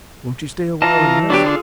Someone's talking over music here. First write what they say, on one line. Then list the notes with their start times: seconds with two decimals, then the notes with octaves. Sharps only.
"Won't you stay awhile and rest?"
0.82 E3 F4 D#5 A5 A#5
1.30 D3 F#3 B3 D4 G4
1.46 F4 G#4 A4